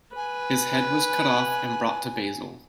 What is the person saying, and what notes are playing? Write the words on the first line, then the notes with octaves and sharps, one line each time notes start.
His head was cut off and brought to Basil.
B4 G#5